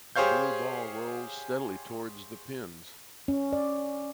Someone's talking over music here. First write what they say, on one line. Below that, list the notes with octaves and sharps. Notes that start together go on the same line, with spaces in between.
The blue ball rolls steadily towards the pins.
G4 G#4 C5 C#5 F5 G6
C#4
D5